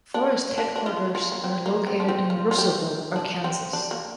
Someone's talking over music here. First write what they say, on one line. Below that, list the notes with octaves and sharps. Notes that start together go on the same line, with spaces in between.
Forest headquarters are located in Russellville, Arkansas.
D4
D4
D4
F4
F4
A#3
C4
A#3
C4
D4
C4
F4
F4
G4
D4
C4
D4
A#3